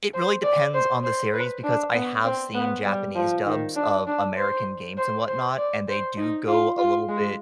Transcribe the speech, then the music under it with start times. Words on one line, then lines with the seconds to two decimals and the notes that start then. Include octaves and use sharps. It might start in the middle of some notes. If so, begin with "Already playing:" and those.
It really depends on the series because I have seen Japanese dubs of American games and whatnot, and they do go a little bit-
0.14 C5
0.43 D5
0.74 C5
1.04 C5
1.34 B4
1.64 D4
1.94 B3
2.25 C4
2.54 B3
2.85 G3
3.15 F3
3.46 D#3
3.76 D4
4.07 D4
4.37 C5
4.97 C5
5.27 C5
5.57 D5
5.88 C5
6.17 D#4
6.47 F4
6.78 F4
7.08 G#3